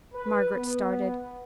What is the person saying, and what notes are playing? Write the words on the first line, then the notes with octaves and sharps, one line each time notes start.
Margaret started.
B4
B3